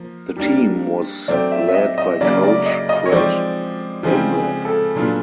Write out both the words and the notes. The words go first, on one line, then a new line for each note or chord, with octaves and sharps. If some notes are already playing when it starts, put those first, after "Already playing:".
The team was led by coach Fred Dunlap.
Already playing: F3 A#3
G3 A#3 D4
F#3 A3 C4 D5
E5
E5
D#5
D#5
C#3 F#3 A#3 D5
D5
D#5
D#5
C#5
F3 G#3 C4 D5
C#3 F3 G#3 C4 G#4
G#4
A4
A#2 F#3 B3 D4 F4